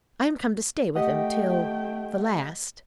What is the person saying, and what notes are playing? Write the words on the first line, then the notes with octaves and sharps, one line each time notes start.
I am come to stay with him, till--the last....'
A3 G4 D#5 F#5 G5